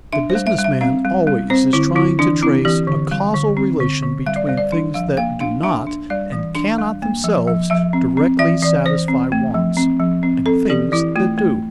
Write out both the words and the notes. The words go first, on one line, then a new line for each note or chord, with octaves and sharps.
The business man always is trying to trace a causal relation between things that do not and cannot themselves directly satisfy wants, and things that do.
D4 E5
C5
G3
E5
G3
E5
C4 F5
G3
G3
C4 C5
D3 E4
D3 E4
E3 D4
C4 E4
E3 G4
D3
G3
D3
C4
D3
D3
G3 E5
D5
G3 C5
D5
D4
F3 F5
A#3 F5
D4 F5
D4 E5
D4
G3 D5
E3
D4
G3
A#3
F3
F3
F3 E5
C4
C4
E3 E5
E3 D5
E3 C5
C4
A3
F3
C4
F3
C4
C4 A4
E3 G4
E3 E4
A3 F4
A3